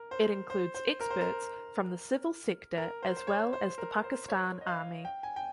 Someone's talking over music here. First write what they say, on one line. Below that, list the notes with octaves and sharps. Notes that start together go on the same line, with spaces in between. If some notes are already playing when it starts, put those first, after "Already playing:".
It includes experts from the civil sector as well as the Pakistan Army.
Already playing: A#4
C5
C5
C5
A#4
C5
A#4
A#4
C5
C5
C#5
C5
A#4
C5
C#5
D#5
F5
G5
G#5
G5